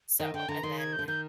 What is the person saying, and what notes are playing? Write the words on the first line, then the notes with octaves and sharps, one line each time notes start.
So and then,
D#3 G5
D3 G5
D3 A#5
D#3 C6
G#6
G6
D3
D#3 G6